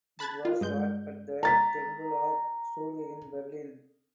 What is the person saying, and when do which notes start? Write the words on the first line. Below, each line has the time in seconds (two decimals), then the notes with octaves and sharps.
It was shot at the Tempelhof Studios in Berlin.
0.19 A5 B5 F#6 G#6 A6
0.45 F4
0.61 G2 G#3 G6
1.43 A#5 A6 B6